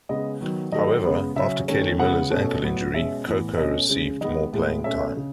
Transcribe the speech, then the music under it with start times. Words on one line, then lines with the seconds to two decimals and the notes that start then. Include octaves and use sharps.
However, after Kelly Miller's ankle injury, Coco received more playing time.
0.09 C#3 G#3 B3 D#5
0.41 D#3 F#3 B3
0.72 D#3 F#3 A3 D#5
1.05 C#3 G#3 B3
1.36 C#3 F#3 C#4 E5
1.68 D#3 A3 C#4
1.99 C#3 G#3 B3 F#5
2.31 B2 A3 C#4
2.63 A2 F#3 B3
2.94 B2 G#3 C#4 E5
3.26 A2 E3 B3
3.57 B2 A3 C#4 D#5
3.89 C#3 G#3 C#4
4.21 D#3 G#3 B3 D#5
4.53 A2 G#3 B3
4.84 B2 A3 C#4 E5
5.16 C#3